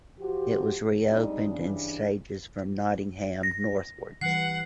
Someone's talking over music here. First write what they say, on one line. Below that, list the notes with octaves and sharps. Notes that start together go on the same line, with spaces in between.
It was reopened in stages from Nottingham northwards.
F3 F#4 G4
F2 G3 G#3 D4 D#4
G2 C#3 E3 D4
A#6
E3 G3 B4 F#5 C7